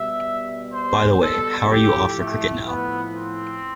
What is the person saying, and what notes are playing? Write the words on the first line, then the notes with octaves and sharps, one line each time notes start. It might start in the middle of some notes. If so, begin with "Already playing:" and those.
By the way, how are you off for cricket now?
Already playing: B2 G3 E5
C5
A4
A2 F3 A3 G4
A3
B3
C4